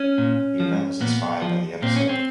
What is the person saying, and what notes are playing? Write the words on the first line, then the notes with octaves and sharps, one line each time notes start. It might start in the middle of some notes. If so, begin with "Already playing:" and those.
The event was inspired by the episode.
Already playing: C#4
A#2
F3
A#2 B3
F3
A#2 C4
C#4
C4